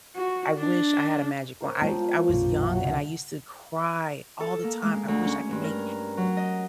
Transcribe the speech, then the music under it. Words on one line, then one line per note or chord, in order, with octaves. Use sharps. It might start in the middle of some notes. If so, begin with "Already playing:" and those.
I wish I had a magic wand. I I was young, and I used to cry all the time, "I wish I could make
F#4
D4
A#4 C5 C#5
F3 G#3 B3 G5 A#5
F4
B1 F#2 A#2 C6 D6
F#4 E5 F#5
C2 C#3 D#5 G5 A5
A4
A#3
G#3
D2
C#4
G2
A#4
F#3
D#5